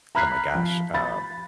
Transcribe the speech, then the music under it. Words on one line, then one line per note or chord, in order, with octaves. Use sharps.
oh my gosh, uh,
A#5 B5 F6 F#6 B6 C7
F3
B5 A6